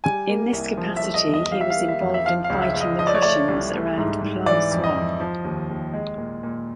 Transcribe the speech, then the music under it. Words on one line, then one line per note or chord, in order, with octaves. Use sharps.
In this capacity he was involved in fighting the Prussians around Plancenoit.
G3 G#5
A#3
C2
F3
E5
A3
D#5
E2
D#5
G3 F5
E5
F5
A#3
E5
F2
E5
F3 F5
F5
C#2
E5
C#2
D#5
F3 D#5
D5
C#5
A3 D5
C2
A3
G#2
G#2
E3 D5
F2
D#5
F2
F3
D#2
D#2
G#3
A#2
A#2